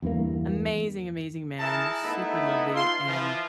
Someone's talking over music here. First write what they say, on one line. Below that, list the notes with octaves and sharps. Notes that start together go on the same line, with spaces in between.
Amazing, amazing man. Super lovely. And,
E2 G2 E3 A#3
E3 E4 G#4 A#4 A5
A3 B3 D#4 E4
F4 C6
E3 F3